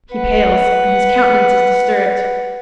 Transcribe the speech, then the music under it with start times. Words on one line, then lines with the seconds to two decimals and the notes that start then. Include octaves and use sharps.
He pales, and his countenance is disturbed.
0.11 B4 F#5